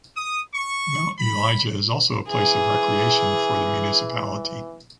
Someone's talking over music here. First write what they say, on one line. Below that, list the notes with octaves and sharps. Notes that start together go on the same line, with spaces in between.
Mount Elijah is also a place of recreation for the municipality.
D#6
C#6
B5
E3 G#4